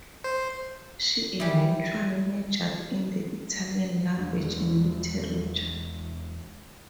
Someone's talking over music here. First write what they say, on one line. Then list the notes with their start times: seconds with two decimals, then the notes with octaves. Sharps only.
She eventually majored in the Italian Language and Literature.
0.24 C5
1.40 E3 G3
4.17 E2 G#3 D4